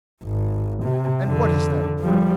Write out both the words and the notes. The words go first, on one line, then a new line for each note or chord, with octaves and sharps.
"And what is that proof?"
G#1
C3
F2 D3
F3 G3